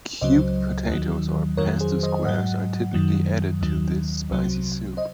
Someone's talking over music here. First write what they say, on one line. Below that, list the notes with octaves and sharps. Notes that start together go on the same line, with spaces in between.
Cubed potatoes or pasta squares are typically added to this spicy soup.
C#2 C#3 F#3 C5 D#5
D#2 D#3 F#3
F2 D#3 F#3 A#4 C#5
G#4 C5
C5 D#5
G#2 F#3 D#5 F#5
F#2 D#3 F#3
D#2 D#3 F#3
C2 C3 F#3
C5 D#5